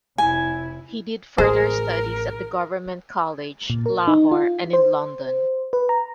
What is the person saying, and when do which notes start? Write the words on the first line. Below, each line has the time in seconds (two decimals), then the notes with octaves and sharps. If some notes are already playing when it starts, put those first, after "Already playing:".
He did further studies at the Government College, Lahore and in London.
0.18 F1 E4 G#5
1.38 A1 G#4 A#4 C5
3.70 A#2
3.86 A#4
4.08 D#4
4.32 F4
4.73 C5
5.73 B4
5.89 A#5